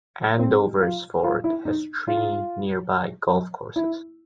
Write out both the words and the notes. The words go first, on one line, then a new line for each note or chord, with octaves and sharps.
Andoversford has three nearby golf courses.
C4
F4
F4
E4
D#4
F4
E4